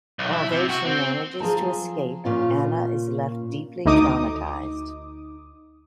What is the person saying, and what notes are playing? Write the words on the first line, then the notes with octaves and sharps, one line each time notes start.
Although she manages to escape, Anna is left deeply traumatized.
B1
E4
C3
F#4
C4
F3 G#4 A5 A#5
A#2 C#4 F4
D2 D#4 D6 D#6